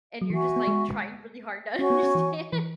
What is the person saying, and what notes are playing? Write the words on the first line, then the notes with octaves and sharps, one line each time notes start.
and you're just, like, trying really hard to understand.
F#3
E3 F#4 E5 G#5 C#6
B3
G#3
C#4 F#4 C#5 G#5 C#6
B3
C#4
E3
E3